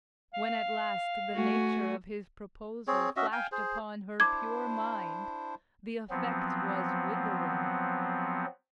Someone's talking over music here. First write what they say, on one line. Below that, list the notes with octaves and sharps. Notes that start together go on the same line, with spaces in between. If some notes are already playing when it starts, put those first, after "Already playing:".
When at last the nature of his proposal flashed upon her pure mind, the effect was withering.
F5
A3 F#4 G#5
C4 G#4 C#5
C#4 F#4 D#5 E5
F5 G5 G#5
G#4 C5
D4 E4 C5 D6 G#6
F3 F#3 B3 C4